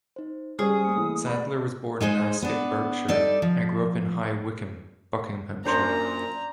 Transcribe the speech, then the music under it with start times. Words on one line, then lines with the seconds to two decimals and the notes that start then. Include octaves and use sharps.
Sadler was born in Ascot, Berkshire, and grew up in High Wycombe, Buckinghamshire.
0.16 D#4 C5
0.59 G3 C#4 G#4 C5 C#6 D#6 F6
0.85 A3 A#3 C#7
0.97 E3
1.27 D5 B5
2.01 G#3 D#4 G#4 C5
2.42 B3 D4
3.08 G3 D#4 A4 D5
3.42 F3
5.65 F#2 A#2 D4 C5 A#5